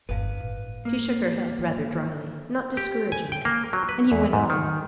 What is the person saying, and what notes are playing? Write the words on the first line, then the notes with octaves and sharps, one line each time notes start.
She shook her head, rather dryly--not discouragingly--and he went on.
G1 E2 B4 F5
A2
A#3
D2 G#2
G4
G#5
G5
A#3
F#3
B4
E2
G#2
D#3